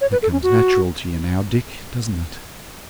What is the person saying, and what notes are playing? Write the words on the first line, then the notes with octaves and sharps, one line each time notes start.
'That comes natural to you now, Dick, doesn't it?'
C#5
B4
A4
C#4
F#4